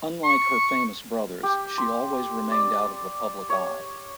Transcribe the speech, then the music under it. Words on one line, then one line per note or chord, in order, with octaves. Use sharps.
Unlike her famous brothers, she always remained out of the public eye.
C#6
G4
C6
D5
C#5